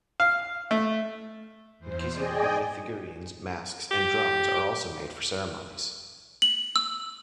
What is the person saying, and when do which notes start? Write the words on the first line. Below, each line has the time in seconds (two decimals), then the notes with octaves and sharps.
"Nkisi nkonde" figurines, masks and drums are also made for ceremonies.
0.20 F5
0.71 A3
1.79 E2 C5
2.12 G#4 D5 D#5 G5 G#5
3.91 G4
6.42 F#7
6.76 E6